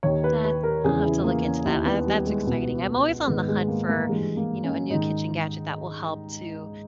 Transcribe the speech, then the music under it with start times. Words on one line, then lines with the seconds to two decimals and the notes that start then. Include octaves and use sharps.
That I'll have to look into that. I that's exciting. I'm always on the hunt for, you know, a new kitchen gadget that will help to
0.03 D#2 D#3 C#5
0.24 B4
0.44 B4
0.63 A#4
0.84 E2 C#3 E3 G#4
1.05 E4
1.24 A#3
1.45 C#4
1.65 D#2 D#3 E4
1.85 B3
2.07 G3
2.26 G#3
2.47 C#2 B2 B3
3.27 G#2 D#3 B3
3.48 G#3
3.68 A#3
3.89 A#3
4.09 G2 E3 G#3
4.37 A#3
4.64 C#4
4.90 G#2 D#3 D#4